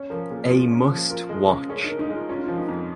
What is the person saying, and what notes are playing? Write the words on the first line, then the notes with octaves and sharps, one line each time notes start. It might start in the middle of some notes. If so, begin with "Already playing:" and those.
A must watch.
Already playing: C#4 C#5
F3 A#4
A#2 G#4
G#3 F4
C#4
F3
F4 A#4
G#3
C#3
C#4 G#4
D#4
A#4
D#4
G#3
F4
C#4 F4
D#4
F3 F4
D#4
F2